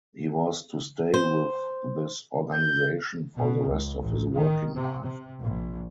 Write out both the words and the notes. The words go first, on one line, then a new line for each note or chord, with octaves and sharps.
He was to stay with this organisation for the rest of his working life.
C5
G6
B2
C#2
A1
D#3
C3
C3
A#1